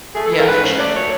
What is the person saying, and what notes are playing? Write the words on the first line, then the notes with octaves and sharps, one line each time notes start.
Yeah, for sure.
A3 G#4
A4
E3
A#4
G#2 B4
C#4 C5
A3 D5
F#3 C#5